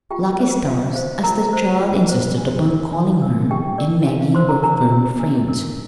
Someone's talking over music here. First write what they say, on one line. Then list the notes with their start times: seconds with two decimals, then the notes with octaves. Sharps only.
"Lucky Stars," as the child insisted upon calling her, and Maggie were firm friends.
0.11 F4 G4 G5
0.39 C5 F5
0.67 F4 F5
0.95 C5 F5
1.23 F4 A#4 A#5
1.53 C5
1.80 F4
2.09 C5
2.37 D4
2.66 A#4
2.93 D4
3.22 A#4
3.50 D4 G4 G5
3.78 A#4 D5
4.07 D4 F5
4.21 F5
4.34 A#4 C5 C6
4.49 A#4 A#5
4.63 D4 A#4 A#5
4.92 A#4
5.19 D4
5.48 A#4